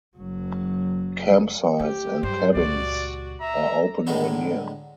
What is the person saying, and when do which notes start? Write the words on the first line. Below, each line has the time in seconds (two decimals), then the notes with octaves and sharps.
Campsites and cabins are open all year.
0.17 F#1 F#3
1.79 A3 E4 G4
2.23 G2 F#3 C5
2.55 C#2 A#2 F#4 D5
3.41 E5 A#5
4.07 A2 D3 G#3 B3 D#4